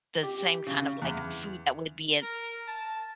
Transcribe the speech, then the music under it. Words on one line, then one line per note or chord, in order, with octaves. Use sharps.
the same kind of like, food that would be an
G4
C#3
E2
A#4
A5